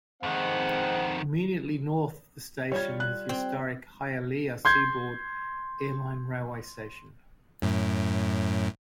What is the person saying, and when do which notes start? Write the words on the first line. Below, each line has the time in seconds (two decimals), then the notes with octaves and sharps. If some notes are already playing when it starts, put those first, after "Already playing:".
Immediately north of the station is the historic Hialeah Seaboard Air Line Railway Station.
0.23 F2 D#3 G#3 C4 F#5
2.72 G3 F4 C#5 G#6
3.00 F#6
3.29 C4
4.65 C6 G6 G#6
7.62 F#2 A2